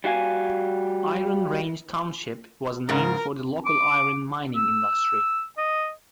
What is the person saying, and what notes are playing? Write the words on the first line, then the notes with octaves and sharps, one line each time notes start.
Iron Range Township was named for the local iron mining industry.
G3 F#4 F5 G#5
G#2 C#3 A#4
D6
E6
D#5